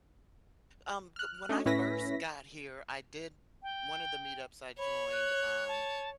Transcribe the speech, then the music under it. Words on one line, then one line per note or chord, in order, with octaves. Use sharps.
Um, g when I first got here, I did one of the meetups I joined, um,
F6 F#6
A3 C#4 D4 F#4 D#5
A2 C#4 E4 B4 A#6 B6
G5
C#5 B5
F#6
A5